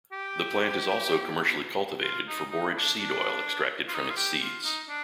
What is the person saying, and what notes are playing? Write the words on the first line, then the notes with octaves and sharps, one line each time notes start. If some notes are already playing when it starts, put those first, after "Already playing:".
The plant is also commercially cultivated for borage seed oil extracted from its seeds.
G4
F4
D#4
D#4
D4
D4
F4
D#4
F4
G4
F4
D#4
D4